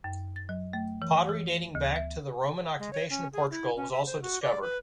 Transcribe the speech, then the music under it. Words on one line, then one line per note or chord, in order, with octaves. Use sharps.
Pottery dating back to the Roman occupation of Portugal was also discovered.
F#2
A6
F#3
A3
E3
E3
D2
E5
G#3
C#5
C#4
G#4
E4
C#4
E5
C5
F#4
D5
B4